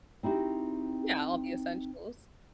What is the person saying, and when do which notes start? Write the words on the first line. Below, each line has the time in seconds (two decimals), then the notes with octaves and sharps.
Yeah, all the essentials.
0.23 C4 D#4 E4 F#4 G4